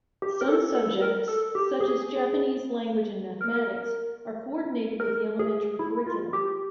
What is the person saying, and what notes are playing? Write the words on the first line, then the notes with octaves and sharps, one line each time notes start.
Some subjects, such as Japanese language and mathematics, are coordinated with the elementary curriculum.
G4
A#4
A4
A4
A#4
A4
G4
G#4
A#4
A#4
G#4
E4
F4
G4